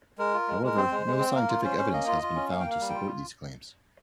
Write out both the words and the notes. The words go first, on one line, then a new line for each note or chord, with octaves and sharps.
However, no scientific evidence has been found to support these claims.
G#3 A#4
F4
G#3
G#3 A#4
C4 C5
G#3
G#3
C4
A#3 A#4
F4
C#4 C5
C#4
A#3 D#5
F4
F4
C#4
A#3 F5
G5
A#3
F5
G3
G5
F4